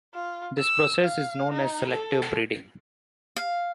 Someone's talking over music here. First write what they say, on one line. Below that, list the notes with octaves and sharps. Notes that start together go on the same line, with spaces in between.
This process is known as selective breeding.
F4
E6
F5
D#4
A4
F5